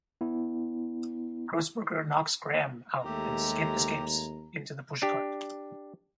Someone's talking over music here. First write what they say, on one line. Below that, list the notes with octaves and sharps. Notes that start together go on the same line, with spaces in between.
Grossberger knocks Graham out and Skip escapes into the pushcart.
B3 E4
D#2 G#3 A3 G4 A#5
D4 G4